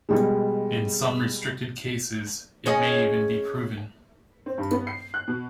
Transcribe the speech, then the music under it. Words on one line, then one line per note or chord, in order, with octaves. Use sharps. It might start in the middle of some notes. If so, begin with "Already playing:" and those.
In some restricted cases, it may even be proven.
B2 G3 G#3
C#4 G#4 D#5
C4
G2
B3
C7
F#6
B2